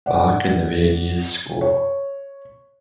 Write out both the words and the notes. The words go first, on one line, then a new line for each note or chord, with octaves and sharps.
Bach and the Viennese School.
D5 F#5
C#5